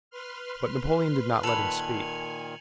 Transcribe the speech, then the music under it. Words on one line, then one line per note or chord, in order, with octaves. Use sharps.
But Napoleon did not let him speak.
B4 C6 F6
A#2 D#3 A4 B4 G#5 C#7 F7 F#7